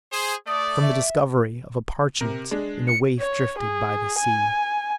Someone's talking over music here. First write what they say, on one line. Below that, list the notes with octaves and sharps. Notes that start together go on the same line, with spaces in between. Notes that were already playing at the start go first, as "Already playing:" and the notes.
From the discovery of a parchment in a waif drifted by the sea.
G#4 C5
A3 D5 D#6
E5
C3 A#4
G#3 D4
C#7
C#5
G#4
G#5